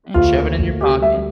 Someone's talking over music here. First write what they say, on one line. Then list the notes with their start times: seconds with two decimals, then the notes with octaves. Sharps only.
Yeah, shove it in your pocket.
0.14 D2 F4
0.37 A#3
0.58 D2
0.80 A#3 G4
1.02 G3 E5